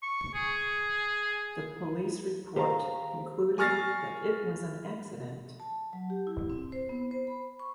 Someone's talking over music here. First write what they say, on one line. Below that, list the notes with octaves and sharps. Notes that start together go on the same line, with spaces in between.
The police report concluded that it was an accident.
C#6
G#4
G4 C5 F5 A#5
G#5 C#6 F6 A6 A#6 C7
A5
F#3
G4
E4
C4
C5
B3
C5
B5
C#6